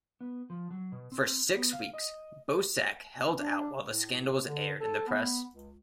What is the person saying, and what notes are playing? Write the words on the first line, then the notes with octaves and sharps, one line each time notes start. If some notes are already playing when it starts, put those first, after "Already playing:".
For six weeks Boesak held out while the scandal was aired in the press.
B3
F3
F#3
B2
C4
B3
F5
D#5
D4
A2
D3
A4
B3
C#2